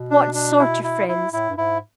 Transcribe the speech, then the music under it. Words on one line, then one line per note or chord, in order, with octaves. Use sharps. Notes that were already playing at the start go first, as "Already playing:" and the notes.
What sort of friends?
Already playing: B2
D4
D4
E4
E4
E4
A2 E4
G2
G#2 E4